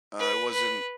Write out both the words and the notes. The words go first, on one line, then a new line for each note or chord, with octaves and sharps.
I wasn't
B4
B4